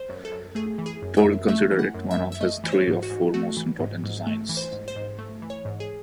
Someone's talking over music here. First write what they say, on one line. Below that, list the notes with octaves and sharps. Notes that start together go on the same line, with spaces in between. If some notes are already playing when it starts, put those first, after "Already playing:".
Pearl considered it one of his "three or four most important" designs.
Already playing: C5
F#2
A4
F#2
A3 G#4
E3
G#4
F#2
E5
F#2
A3 E5
E3
F#5
F#2
E5
F#2
E5
A3 D#5
E3 C5
C#5
G#2
F#4
G#2
A3 F#4
E3
G#2
G#2
A3
E3
C5
G#2
C5
G#2
A3
E3
C#5
G#2
G#4